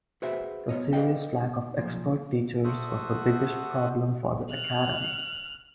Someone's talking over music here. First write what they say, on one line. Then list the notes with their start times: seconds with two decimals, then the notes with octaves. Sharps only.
The serious lack of expert teachers was the biggest problem for the Academy.
0.22 F#4 G#4 B4 C5 E5
0.69 B3 C#5 D#5
0.93 G4 B4 D5 D#5 F5 G5
1.78 B1 A#2 F3
2.64 F#4 A4 C5 E5 F#5 D#6
4.51 F6 F#6